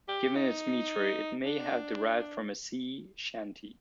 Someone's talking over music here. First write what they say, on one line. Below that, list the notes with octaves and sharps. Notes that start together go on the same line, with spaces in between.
Given its metre, it may have derived from a sea shanty.
G4
D#4
D4